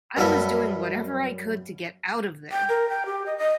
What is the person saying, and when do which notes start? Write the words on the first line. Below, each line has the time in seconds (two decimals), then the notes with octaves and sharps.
I was doing whatever I could to get out of there.
0.17 F#2 F#3 G3 A#3 A4 B4
2.52 G5
2.69 A#4
2.89 G5
3.06 G4
3.26 D#5
3.38 D#5